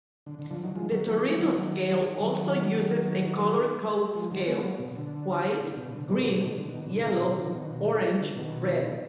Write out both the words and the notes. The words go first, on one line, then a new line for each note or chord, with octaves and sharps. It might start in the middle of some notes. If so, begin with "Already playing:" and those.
The Torino Scale also uses a color code scale: white, green, yellow, orange, red.
D3
D3
D3 F3
D#3 F#3
F3 G#3
D#3 F#3
D#3 F#3
F3 G#3
D#3 F#3
D#3 F#3
D#3 F#3
F3 G#3
D#3 F#3
G#3 B3
F#3 A#3
B2
D3
D3
B2
D3
B2 D#3
B2
D3
B2 D#3
D3
B2 D#3
D3
B2 D#3
B2 D#3
D3 F3
B2 D#3
D3
B2 D#3